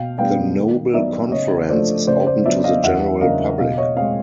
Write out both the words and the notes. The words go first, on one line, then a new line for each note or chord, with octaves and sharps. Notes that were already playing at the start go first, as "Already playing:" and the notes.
The Noble conference is open to the general public.
Already playing: B2 F5 G5
G3 B3 D4 F5 G5
D#3
F#3 B3 D#4 D5 E5
C#3 C#5 D#5
F3 A3 D4 C5 D5
C#3 C5 D5
C5 D5
F#3 B3 D4 D5 E5
D#5 F5
E2 E5 F#5
C#3 F#3 A#3 D4 D#5 F5
B2 D#5 F5
C#5 D#5
G#3 C4 D#5 F5